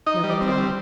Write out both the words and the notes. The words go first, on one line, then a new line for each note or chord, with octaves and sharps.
No reply.
D#4 D#5
G3
D5
C4
D5
C5
G3